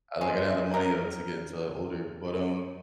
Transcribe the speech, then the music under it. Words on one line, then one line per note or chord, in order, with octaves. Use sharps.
I, like, I didn't have the money, uh, to get into older, but, um,
G#3
A#4